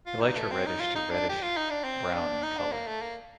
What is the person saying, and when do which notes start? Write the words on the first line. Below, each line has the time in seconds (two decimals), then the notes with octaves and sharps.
Elytra reddish to reddish brown in color.
0.07 F4
0.21 D#4
0.36 A3
0.51 C4
0.66 D#4
0.80 F4
0.95 D#4
1.10 D4
1.29 G4
1.43 F4
1.57 D#4
1.70 D4
1.84 C4
2.14 D4
2.43 D#4
2.58 D4
2.72 A#3
2.87 A3
3.02 A#3